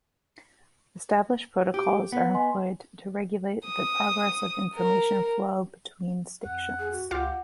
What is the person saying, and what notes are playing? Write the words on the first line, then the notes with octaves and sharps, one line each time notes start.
Established protocols are employed to regulate the progress of information flow between stations.
G4
B3 F#5
D#5 G#5 C6
D#6
A#4
F2 F#5
G#4
F#4
C#2 F4 G4 F5 F#5